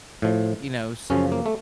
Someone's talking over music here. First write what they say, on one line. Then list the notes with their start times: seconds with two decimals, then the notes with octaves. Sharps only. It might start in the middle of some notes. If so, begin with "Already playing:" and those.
uh, you know s
0.22 A2 F3
1.10 F#2 C#3 F3 C#4
1.32 A#3
1.46 A3